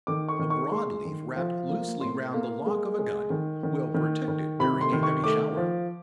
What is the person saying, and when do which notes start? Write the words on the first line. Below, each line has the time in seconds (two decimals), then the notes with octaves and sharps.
A broad leaf wrapped loosely round the lock of a gun, will protect it during a heavy shower.
0.07 D#3 D6
0.29 C#6
0.39 D#3
0.50 C#6
0.72 G#3 C6
1.05 D#3
1.36 F3
1.69 A#3
2.01 A2 C6
2.34 A#3
2.66 G#3
2.99 G#3
3.30 D#3
3.63 D#3
3.94 D#3
4.28 D#3
4.59 C3 B5
4.81 C6
4.92 D#3
5.03 C#6
5.24 A3 D6
5.57 F3